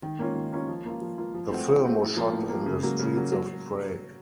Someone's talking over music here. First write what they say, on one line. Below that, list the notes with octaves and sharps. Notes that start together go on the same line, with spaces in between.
The film was shot in the streets of Prague.
D#3
A#3 C#4 F4
D#3
A#3 C#4 F4
F3
A#3 F4
F3
A#3 F4
F3
A3 C4 F#4
F3
A3 C4 F#4
A2
F3 A#3
A2
F3 A#3
C#3
F#3 A#3
C#3
F#3 A#3
F#3